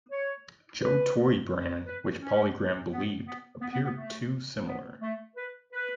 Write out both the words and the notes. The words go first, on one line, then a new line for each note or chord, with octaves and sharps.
Joe toy brand, which, PolyGram believed, appeared too similar.
C#5
B4
B4
C#4
B3
B3
B3
B3
B3
A3
B3
A3
B4
B4